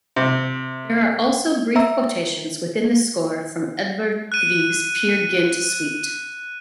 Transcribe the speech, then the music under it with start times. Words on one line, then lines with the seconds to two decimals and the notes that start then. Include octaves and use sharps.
There are also brief quotations within the score from Edvard Grieg's Peer Gynt Suite.
0.16 C3
1.76 E5 A#5 E6
4.32 F#6 D#7